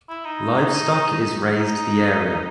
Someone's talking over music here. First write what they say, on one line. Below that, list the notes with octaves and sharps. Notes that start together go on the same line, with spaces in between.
Livestock is raised the area.
E4
D#4
D#4